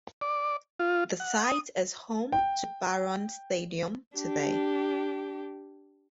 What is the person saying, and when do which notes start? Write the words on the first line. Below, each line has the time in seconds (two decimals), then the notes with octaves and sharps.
The site is home to Barron Stadium today.
0.21 D5
0.80 F4
1.20 F#5
1.44 D#6
2.32 G5
4.17 D4 G4